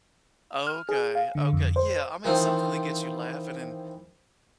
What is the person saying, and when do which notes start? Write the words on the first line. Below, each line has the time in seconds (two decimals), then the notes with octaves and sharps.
Okay, okay yeah, I mean, something that gets you laughing and,
0.67 F6
0.89 G#4
1.15 F5
1.35 D3
1.53 F2
1.76 C5
2.25 D#3 E3 B3 C4 F4